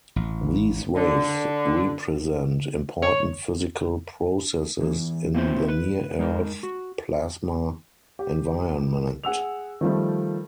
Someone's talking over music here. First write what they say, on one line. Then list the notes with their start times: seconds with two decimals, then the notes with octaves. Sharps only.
These waves represent important physical processes in the near-Earth plasma environment.
0.16 A1
0.95 D3
3.02 C#5
4.80 E2 E3
5.34 A#3 C4 E4 F4 G#4 C5
5.68 B4
6.19 G#3 D#4 A#4
6.63 F#4
8.19 G4
9.24 G#4 F#5 E6 F7
9.81 D#3 F3 G3 A3